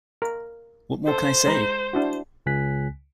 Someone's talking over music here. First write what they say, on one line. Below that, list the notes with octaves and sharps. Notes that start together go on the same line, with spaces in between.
What more can I say?
A#4
A4 C5
G#3 A#5 B5
D4 E4 F#4
C#2 C#3 G#5 F#6 B6